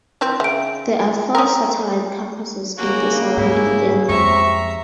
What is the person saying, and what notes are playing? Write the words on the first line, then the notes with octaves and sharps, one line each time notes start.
There are four satellite campuses in the surrounding area.
D#3 E3 C4
C#3 E5 D7
C#4 A#4 A#5 D#6
C#3 A#3 F#4 G4
G#2 E4
F2 C3 G#3 E5 A#5 C#6